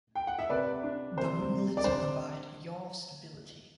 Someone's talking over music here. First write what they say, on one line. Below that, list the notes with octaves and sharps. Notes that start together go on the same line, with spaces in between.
The winglets provide yaw stability.
G5
F#5
E5
C3 B4 D5
D4
C3 C5
C3
D5
D4 C5